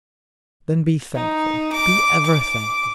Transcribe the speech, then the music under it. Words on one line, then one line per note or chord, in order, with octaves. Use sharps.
Then be thankful--be ever thankful.
D#4
D6
D6